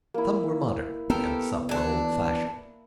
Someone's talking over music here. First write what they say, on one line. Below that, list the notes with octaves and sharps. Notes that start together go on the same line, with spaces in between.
Some were modern and some were old-fashioned.
A#3 E4
B3 G4 A4 A#4
E3 D4